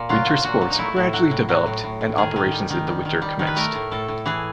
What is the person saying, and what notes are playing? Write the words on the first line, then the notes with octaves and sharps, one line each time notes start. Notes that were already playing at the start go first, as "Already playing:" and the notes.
Winter sports gradually developed and operations in the winter commenced.
Already playing: A#2
F#3 F4
F#3
A#2 F#4
F#3
D#4
A3 E4
A2
F#3
A2
F#3
A2
A2
A2
D#3 G#4
D#3
G3
D#3
G3
D#3
G3
D#3
B4
A3 A#4
A2
A2 A4
A2
E3 G#4